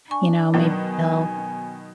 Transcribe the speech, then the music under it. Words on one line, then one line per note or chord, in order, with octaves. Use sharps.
you know, may they'll
D4 G#5 C#6
B2 D#3 F#3
G#5